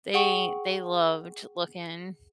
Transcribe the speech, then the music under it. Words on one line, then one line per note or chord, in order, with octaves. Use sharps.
they they loved to looking,
G#4 F#5 G5 C#6